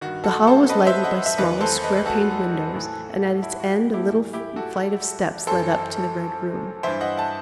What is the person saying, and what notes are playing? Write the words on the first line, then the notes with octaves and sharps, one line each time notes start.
The hall was lighted by small, square-paned windows, and at its end a little flight of steps led up to the Red Room.
G2 D#3 F#4
F#4 A4
A4 C5
B4 D#5
C5 E5
D#5 F#5
E5
E2 D#3 B4 D#5
A4 C5
B4 D#5
B4
F#4 A4
A2 E3
E4
F#4
E4 G4
A2 E3
E4 G4
F#4 A4
F#2 E3 A4 C5
G2 E3 C5 E5
D#5 F#5
F#5 A5